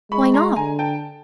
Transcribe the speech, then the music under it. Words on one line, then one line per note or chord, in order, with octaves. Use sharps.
"Why not?"
G#3 B5 C#6
A#5 C6
D3 G#5 A#5
G5 A5